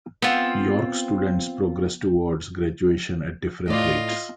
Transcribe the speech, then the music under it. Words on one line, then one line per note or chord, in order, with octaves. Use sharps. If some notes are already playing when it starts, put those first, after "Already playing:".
York students progress toward graduation at different rates.
B3 C4 F4
A2 F4 D5 D#5